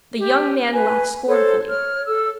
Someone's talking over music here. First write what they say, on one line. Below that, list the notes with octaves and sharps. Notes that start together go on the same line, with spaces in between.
The young man laughed scornfully.
G4
B4 G#5
A4 C5 C#5
C#5 F6
A4 E6